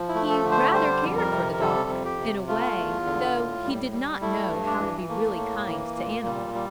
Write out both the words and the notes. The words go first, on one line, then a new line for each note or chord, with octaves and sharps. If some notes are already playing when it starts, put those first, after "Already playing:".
He rather cared for the dog, in a way, though he did not know how to be really kind to animals.
Already playing: F3
E4
A3
A4
D3
C5
G3 C5
F2
A#4
C3
A#4
G3 A4
F2
G4
C3
A3 F4
E2
D3
A2
G3
G3
A3 E4
G2
D4
E3
A3 A#3
A2
E3
A#2
G3
G3